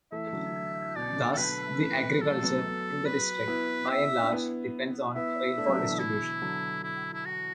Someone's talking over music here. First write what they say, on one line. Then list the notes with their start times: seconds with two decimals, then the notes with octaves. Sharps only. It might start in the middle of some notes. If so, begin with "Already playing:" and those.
Thus, the Agriculture in the district by and large depends on rainfall distribution.
0.12 E3 A3 E5
0.27 A3
0.33 D3 F#3
0.96 B2 D5
1.17 D3
1.33 A4
1.38 D3 F#3 B4
1.79 E3 A3
2.04 E3
2.18 F#3 A4
2.30 A3
2.43 F#3 B3
3.06 B4
3.48 B3 E4
3.89 E5
4.23 D4
4.32 B3 E4
5.15 B3 E4 E5
5.57 A3 D4
5.68 F#3 B3
5.78 D3
5.89 B2 E3
5.99 E4
6.41 D3 F#3
6.83 E4
7.14 E4
7.25 F#4